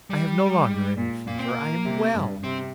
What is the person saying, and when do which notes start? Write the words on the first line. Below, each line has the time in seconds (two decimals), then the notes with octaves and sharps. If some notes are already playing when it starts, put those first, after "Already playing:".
I have no longer any fever; I am well.
0.10 G3
0.68 G#2
0.97 A#2
1.26 A#2 A#3
1.38 C4
1.49 A#3
1.85 C3
2.14 G2
2.44 C3 C4